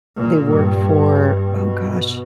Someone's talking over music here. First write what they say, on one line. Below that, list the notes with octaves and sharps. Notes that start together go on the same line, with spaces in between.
they work for oh gosh,
A#2
G2
B2